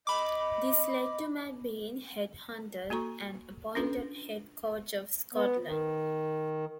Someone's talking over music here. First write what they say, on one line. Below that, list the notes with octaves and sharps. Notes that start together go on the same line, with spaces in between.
This led to Matt being "head hunted" and appointed Head Coach of Scotland.
D#5 B5 D6
A#3 F#4 A4 A#5 C#6
C#4 D4 F4 A4 B4
B3
D#3